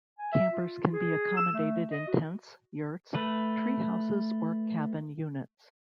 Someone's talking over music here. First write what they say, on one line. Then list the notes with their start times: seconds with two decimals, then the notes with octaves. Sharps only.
Campers can be accommodated in tents, yurts, tree houses or cabin units.
0.19 G#5
0.32 E5
0.52 F4
0.93 G#4
1.36 E6
1.53 A3
1.91 D#5
2.08 F#4
3.15 A3 B4